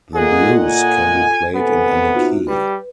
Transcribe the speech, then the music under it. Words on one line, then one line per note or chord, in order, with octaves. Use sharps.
The blues can be played in any key.
A#2 F4 G#4 A4 D#5 F#5
G#5
C3 B3 A4 G#5
D#4 F4 F#4
G3 B4